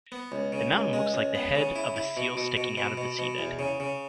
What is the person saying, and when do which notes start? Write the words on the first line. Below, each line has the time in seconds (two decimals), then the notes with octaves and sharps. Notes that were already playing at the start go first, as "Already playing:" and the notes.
The mountain looks like the head of a seal sticking out of the seabed.
0.12 B3
0.32 C#2
0.52 C#3
0.73 C#2
0.93 G#3
1.14 C#2
1.35 B3
1.55 C#3
1.76 E4
1.96 E4
2.17 B2
2.37 B2
2.57 B2
2.77 B2
2.97 B2
3.19 B2
3.38 E2
3.59 C#3
3.80 C#3